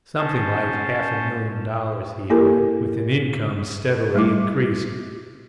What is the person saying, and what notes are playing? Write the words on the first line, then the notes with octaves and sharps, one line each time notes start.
Something like half a million dollars he had, with an income steadily increasing.
C#4 C5 A5
A#3 E4 G4 A4 A#4
G3 A3 E4 D6